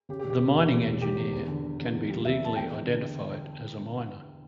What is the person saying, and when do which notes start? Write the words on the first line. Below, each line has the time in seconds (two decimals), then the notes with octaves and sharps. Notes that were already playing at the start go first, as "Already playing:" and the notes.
The mining engineer can be legally identified as a miner.
0.09 C#3 G4
0.19 G4
0.24 E1
0.30 G4
0.40 E1
0.55 E2
0.71 E1
0.86 E1
1.01 E1 G4
1.17 E2
1.32 E2
1.48 D3
1.63 D3
1.79 E2
1.94 E2
2.09 G3
2.25 E2 E5
2.40 G3 A5
2.56 E2 G5
2.72 E2
2.86 D3